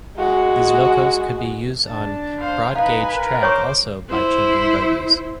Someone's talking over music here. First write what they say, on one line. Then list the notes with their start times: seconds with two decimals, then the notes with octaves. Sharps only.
These locos could be use on broad gauge track also by changing bogies.
0.18 G#3 F#4
1.88 D4 A5
2.40 C5 F5
2.76 D#4 B4 F5 G#5
3.14 A#4
3.43 C5 C#5 C#6 D6
4.10 E4 C5